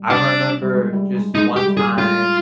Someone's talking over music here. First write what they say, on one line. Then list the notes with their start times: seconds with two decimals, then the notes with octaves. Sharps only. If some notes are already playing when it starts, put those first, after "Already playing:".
I remember just one time,
Already playing: G3
0.10 D4
0.62 G3
0.73 G#3
0.93 G3
1.15 G#3
1.35 G#3 D#4
1.56 G4
1.66 G3
1.77 G#4
1.89 G3
1.98 G#3 F4